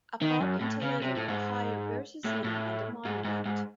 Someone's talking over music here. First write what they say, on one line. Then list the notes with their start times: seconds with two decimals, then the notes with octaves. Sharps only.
A park in Toledo, Ohio, bears his name and a monument.
0.22 D#3
0.41 F#2
0.61 A2
0.82 C#3
1.02 C3
1.16 A2
1.29 G#2
2.24 A2
2.44 A2
3.05 G#2
3.25 G#2
3.46 G#2